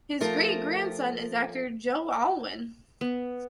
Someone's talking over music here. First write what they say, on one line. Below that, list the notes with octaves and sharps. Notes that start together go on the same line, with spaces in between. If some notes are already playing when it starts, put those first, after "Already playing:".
His great-grandson is actor Joe Alwyn.
F3 A3 F4 A#4
B3